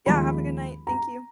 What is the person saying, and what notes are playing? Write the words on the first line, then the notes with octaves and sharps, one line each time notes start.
Yeah, have a good night. Thank you.
D#2 C#3 F3 G#3 B5
A#5